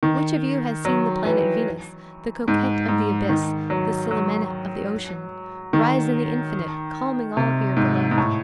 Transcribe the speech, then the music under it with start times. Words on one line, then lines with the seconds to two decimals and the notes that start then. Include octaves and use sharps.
Which of you has seen the planet Venus, the coquette of the abyss, the Celimene of the ocean, rise in the infinite, calming all here below?
0.03 D#3
0.85 F#3
1.25 E3
2.48 G#2
2.88 G#2
3.29 D#3
3.70 F#3
4.11 F#3
5.73 D#3
7.37 C3
7.77 G#2
8.11 G#2
8.18 A2